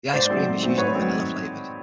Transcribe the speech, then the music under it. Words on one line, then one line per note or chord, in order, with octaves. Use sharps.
The ice cream is usually vanilla flavoured.
G#2 C5 D5
D#3 F#3 A3 C4
G#2
D#3 F#3 A3 C4
G#2 B4 C#5
D#3 F#3 A3 C4